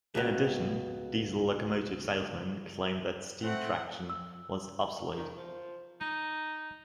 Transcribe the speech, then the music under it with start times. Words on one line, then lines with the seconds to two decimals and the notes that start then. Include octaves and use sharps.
In addition, diesel locomotive salesmen claimed that steam traction was obsolete.
0.15 C#2 B2
3.42 A3 C4 F#5
4.10 E6
5.17 D#3
5.37 F3
6.01 D#4